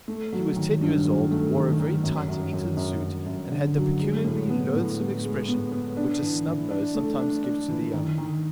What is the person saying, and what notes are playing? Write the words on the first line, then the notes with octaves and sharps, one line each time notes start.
He was ten years old, wore a very tight Eton suit, and had the peculiarly loathsome expression which a snub nose sometimes gives to the young.
A3
F#3
D#3
G2
F#3
A3
D#3
D#3
F#2
F#2
F#2
F#2
F#2
F#2
D3
F#3
G#3
A2
B3
A2
B3
G#3
B3
B3
D4
E3
E3
D4
A3
D4
D4
E3
D#3
D#3